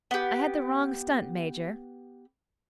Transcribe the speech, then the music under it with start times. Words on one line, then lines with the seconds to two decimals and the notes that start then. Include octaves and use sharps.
I had the wrong stunt, Major.
0.11 B3 G4